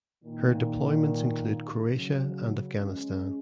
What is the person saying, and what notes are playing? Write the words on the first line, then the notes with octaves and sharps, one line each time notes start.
Her deployments include Croatia and Afghanistan.
A#2 D#3
C#3 F#3
G#3 C#4